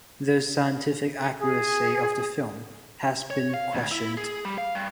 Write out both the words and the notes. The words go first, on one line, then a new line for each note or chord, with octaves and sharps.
The scientific accuracy of the film has been questioned.
G#4
C#5
F5
D2
E4
G#4
G3
F5
G2